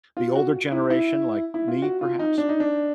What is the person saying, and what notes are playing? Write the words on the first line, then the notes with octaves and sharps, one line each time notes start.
the older generation, like me, perhaps?
F4
F#4
E4
E4
E4
F4
F#4
F4
D#4
D4
D#4
D4